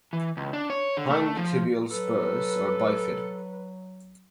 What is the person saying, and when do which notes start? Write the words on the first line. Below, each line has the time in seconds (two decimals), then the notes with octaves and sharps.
Hind tibial spurs are bifid.
0.13 E3
0.37 C#2
0.53 D4
0.70 C#5
0.97 D3
1.10 A3
1.37 F3
1.91 F#3 A4 B4